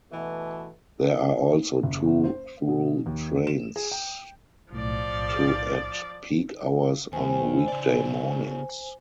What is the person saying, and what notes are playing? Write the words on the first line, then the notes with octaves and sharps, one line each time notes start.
There are also two through trains to at peak hours on weekday mornings.
B2 E3 A3
F#1
C5
B2
D#2
E7
G#4
G5
B1 A2 F3 D5
D#2 C5 G#5
C#3 D5